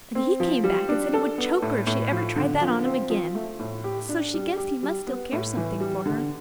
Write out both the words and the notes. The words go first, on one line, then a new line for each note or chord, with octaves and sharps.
And he came back, and said he would choke her if she ever tried that on him again; so she guessed he must still care something for her.
C4
F3
G3
D4
A4
B3
A2
A2
F3
D3
F3
C4
F3
A3
A2
G4
D4
G3
G4
G3
B3
A2
E3
G3
D3